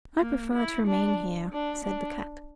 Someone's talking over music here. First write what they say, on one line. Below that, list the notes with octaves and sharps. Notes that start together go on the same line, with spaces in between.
"I prefer to remain here," said the cat.
A#3
E4
D4
D4
D4